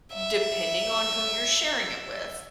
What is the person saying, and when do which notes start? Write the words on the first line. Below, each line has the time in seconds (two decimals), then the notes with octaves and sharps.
depending on who you're sharing it with,
0.14 E5